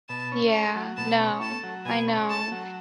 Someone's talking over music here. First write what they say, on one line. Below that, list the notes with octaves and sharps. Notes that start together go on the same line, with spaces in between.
Yeah. No. I know.
B2 A5
C#4
A3 A#5
F#3
B2 A5
C#4
A3 A5
F#3
B2 G#5
C#4
A3 A5
F#3